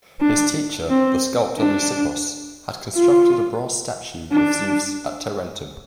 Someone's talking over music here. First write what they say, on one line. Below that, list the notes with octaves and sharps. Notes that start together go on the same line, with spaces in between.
His teacher, the sculptor Lysippos, had constructed a bronze statue of Zeus at Tarentum.
D4
C4
D4
F4
D4